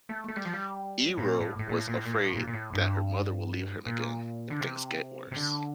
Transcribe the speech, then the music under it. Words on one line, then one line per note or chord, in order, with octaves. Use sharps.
Eero was afraid that her mother will leave him again if things get worse.
A3
A3
G3
F3
G3
A2
A#2
A2
A2
A#2
A2
A#2
A2
A#2
A2
A#2
A#2
A2
G2
A#2
D3
C3
C3
D3